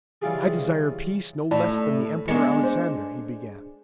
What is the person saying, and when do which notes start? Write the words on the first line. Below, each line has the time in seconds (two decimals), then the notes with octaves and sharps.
"I desire peace, no less than the Emperor Alexander," he began.
0.22 C#3 E3 G3 F4 G4 G#4
1.51 A2 E4 D5 A5
2.28 G#3 B3 D4 C#7
2.64 C5